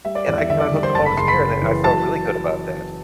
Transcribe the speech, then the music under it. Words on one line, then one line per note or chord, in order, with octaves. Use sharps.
And I kinda hooked him up with gear, and I felt really good about that,
G3 E5
D5
E2 D5
E5
D3 E5
D5
G3
C5 C6
F#1 A5 A6
B5 B6
F#1 C6 C7
B5 B6
F#1
E3
F#3 A5 A6